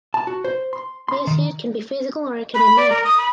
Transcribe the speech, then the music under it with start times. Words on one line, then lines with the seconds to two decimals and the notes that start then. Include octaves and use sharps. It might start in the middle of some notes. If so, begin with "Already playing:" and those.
This hit can be physical or it can be mental.
0.14 A5
0.27 F#4
0.44 C5
0.73 C6
1.08 C6
1.27 D#3
2.54 B5
2.77 D5
2.90 A#4
3.04 D#6
3.17 B5